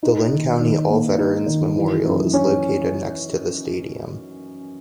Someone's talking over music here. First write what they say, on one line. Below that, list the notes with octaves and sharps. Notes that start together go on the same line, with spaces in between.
The Linn County All Veterans Memorial is located next to the stadium.
D#4
D#3
D#3
A#3
D#4
D#3
E3
F#2
C#4